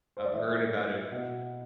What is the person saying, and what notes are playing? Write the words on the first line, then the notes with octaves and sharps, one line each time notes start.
I've heard about it.
C5
D5
A2 E3 E5
B2